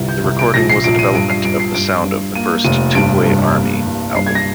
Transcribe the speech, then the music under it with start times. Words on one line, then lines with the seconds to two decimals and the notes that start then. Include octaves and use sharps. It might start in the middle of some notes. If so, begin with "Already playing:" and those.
The recording was a development of the sound of the first "Tubeway Army" album.
Already playing: G1 C2
0.09 G6
0.24 C2
0.39 D7
0.54 A#1 A#6
0.70 C7
0.84 A#1 D7
0.99 D#7
1.14 G2 D7
1.30 C7
1.44 G2 D7
1.60 C7
1.74 G2 D7
2.04 G2
2.35 A#3 D#7
2.64 F1 D#7
2.95 G2 D7
3.25 G2
3.55 A#3
3.86 C2
4.15 G2 C7
4.27 G#6
4.35 A#6